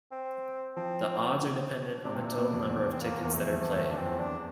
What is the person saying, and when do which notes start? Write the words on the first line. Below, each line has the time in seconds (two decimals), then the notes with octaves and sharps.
The odds are dependent on the total number of tickets that are played.
0.12 C4
0.76 F3 C4
2.04 C3 D4
2.15 A#2 C4
2.21 C3 D4
2.37 A#2
2.53 F2
2.68 E2 D4
2.93 C4
3.01 A#3
3.22 E2 A#3
3.33 F2 A3
3.54 G2
3.76 G2
3.91 D4
3.97 F2 C4
4.06 E2
4.18 E2 D4